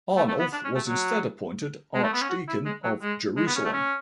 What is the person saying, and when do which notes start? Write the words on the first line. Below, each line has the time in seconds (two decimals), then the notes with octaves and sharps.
Arnulf was instead appointed archdeacon of Jerusalem.
0.17 A3
0.28 A3
0.39 B3
0.53 D4
0.64 C#4
0.75 A3
0.87 F#3
1.94 G#3
2.03 A3
2.13 B3
2.21 C#4
2.30 F#4
2.48 E4
2.66 G#3
2.84 F#3
3.02 G#3
3.37 G#3
3.46 B3
3.55 C#4
3.64 A3
3.73 C#4